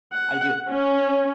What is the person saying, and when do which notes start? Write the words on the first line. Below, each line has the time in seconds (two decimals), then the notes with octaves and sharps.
I do.
0.13 F#5
0.69 C#4